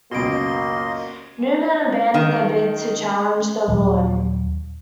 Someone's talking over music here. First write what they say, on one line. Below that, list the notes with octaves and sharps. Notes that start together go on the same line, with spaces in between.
Newman abandoned a bid to challenge the ruling.
C#2 F#2 B2 A#3 F#4 D#5 C6 D7
D#3
D#2 A#2 F#3